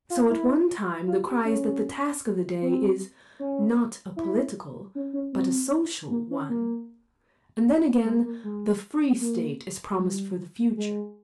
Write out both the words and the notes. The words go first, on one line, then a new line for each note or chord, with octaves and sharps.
So at one time the cry is that the task of the day is "not a political, but a social, one," and then again the "free State" is promised for the future.
F4
E4
F4
G4
C#4
C4
C#4
E4
C#4
C#4
C4
A#3
C#4
A#3
G#3
A#3
G#3
A#3
G3
G#3